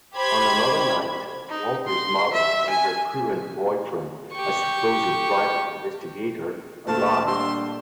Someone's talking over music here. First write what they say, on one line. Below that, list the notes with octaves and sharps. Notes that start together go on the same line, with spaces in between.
On another night, Walter's mother and her current boyfriend, a supposed "private investigator", arrive.
G4 C5 B5 G#6
D#4
C6
E5
G#5
G4 C#6
D2 A#2 A3 F5 A5
G3 D4 G4 D#5 C6 E6